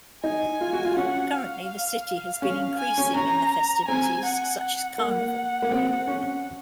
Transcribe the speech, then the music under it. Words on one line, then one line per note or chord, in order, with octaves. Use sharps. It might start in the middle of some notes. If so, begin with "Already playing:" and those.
Currently, the city has been increasing in the festivities such as Carnival.
D#4 G#5
F4
F#4
F4
C#4 F#5
F5
C#4 F5
G#5
C#4
C#4 A#5
C4 G#5
F#5
A#3 F#5
A#3
C4
C#4